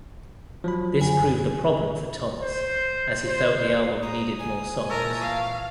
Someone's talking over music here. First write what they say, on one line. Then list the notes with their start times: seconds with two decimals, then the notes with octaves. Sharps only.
This proved a problem for Thomas as he felt the album needed more songs.
0.64 F3 F#3 B5
1.01 F#2 D3 G#5
2.42 C5
3.27 C5
4.02 A#5 D#6
4.39 G#5
4.90 A#2 E3 A#4 C#5 E5 A5
5.22 F5